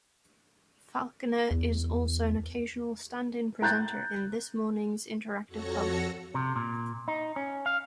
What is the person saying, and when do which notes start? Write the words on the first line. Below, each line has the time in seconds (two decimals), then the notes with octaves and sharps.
Falconer is also an occasional stand-in presenter in "This Morning's" interactive "hub".
1.51 E2
3.62 A#5 F#6 G6 A6
5.48 F2 F#4 A4 C#5 A#6 C#7
6.34 C3
6.56 A#2
7.08 D#4
7.36 C#4
7.66 F5